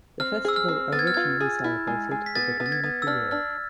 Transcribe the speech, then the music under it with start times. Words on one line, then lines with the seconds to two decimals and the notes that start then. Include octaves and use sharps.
The festival originally celebrated the beginning of the year.
0.20 C4 F6
0.45 G#4 E6
0.56 F6
0.68 C4
0.92 B3 A6
0.99 G#6
1.07 F6
1.14 F4 G#6
1.40 G#4
1.64 E4
1.87 G#3
2.11 G#3
2.26 B6
2.35 B3 A6
2.60 B3
2.66 A6
2.72 G#6
2.84 B3
3.02 E6
3.07 D4 F6
3.31 D4 F6